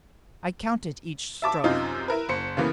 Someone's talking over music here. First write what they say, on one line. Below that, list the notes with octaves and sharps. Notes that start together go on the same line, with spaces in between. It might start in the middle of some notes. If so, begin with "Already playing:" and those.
I counted each stroke.
E5 A5 D6
F#2 C3 D#4 F4
E4 A#4 B4
F#1 C5 C#7
C#3 E3 A#3 B3